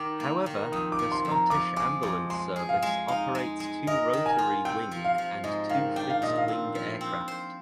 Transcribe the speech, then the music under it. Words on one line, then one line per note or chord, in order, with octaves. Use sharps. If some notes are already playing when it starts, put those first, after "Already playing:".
However the Scottish Ambulance Service operates two rotary wing and two fixed wing aircraft.
Already playing: D#3 D6
A#3
D#3
F2 D#6
D6
F3
C6
F2
A#5
F3 D6
G#3 D6
F2 D6
G#3 C6
G#4
F5
G#3
D#4 F5
G#3
G#3
A#4 D#5
D#3
G#5
F4
C3 G5
F3
F5
F3
G#2 D#5
D#3 F5
D4 G5
F5
A#2 D#5
F5
C4
F3
C4
C5